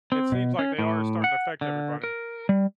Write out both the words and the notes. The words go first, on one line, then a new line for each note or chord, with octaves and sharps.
it seems like they are starting to affect everybody.
C4
B2
C#4
A2
F#5
D3
A#4
G3